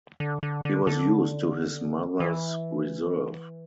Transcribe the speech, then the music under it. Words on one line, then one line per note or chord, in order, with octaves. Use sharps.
He was used to his mother’s reserve.
D3
D3
D3
D3
E3